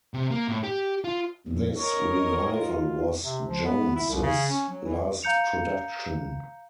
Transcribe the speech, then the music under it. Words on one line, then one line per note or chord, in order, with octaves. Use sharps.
This revival was Jones's last production.
C3
A#3
A2
G4
F4
F2 A#2
A#4 C#5 D#5
F4
C3
F3
B3
E4
C2
C#3
C#4
F#3
E3
F5 A#5 G6 C#7 F7